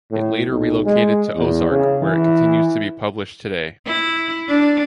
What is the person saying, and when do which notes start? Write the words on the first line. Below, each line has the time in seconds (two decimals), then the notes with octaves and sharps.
It later relocated to Ozark, where it continues to be published today.
0.11 A2
0.49 B1
0.85 G#3
1.36 E2
1.70 C#3
2.02 E3
3.86 E4
4.48 D4